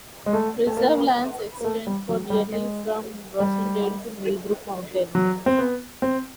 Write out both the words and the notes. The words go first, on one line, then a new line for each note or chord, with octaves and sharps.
Preserve lands extend for nearly from Rosendale to Millbrook Mountain.
G#3
A3
A3
A#3
A#3
A3
G3
F#3
G3
G#3
G3
F#3
C4
B3
C4